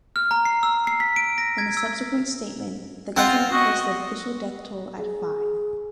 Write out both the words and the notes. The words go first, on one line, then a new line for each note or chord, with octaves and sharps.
In a subsequent statement, the government placed the official death toll at five.
F6
A#5
C7
E6
C7
B6
D7
A#6
G#6
E6
C4 F4 F#5
F#4 D#5 C#6
G#4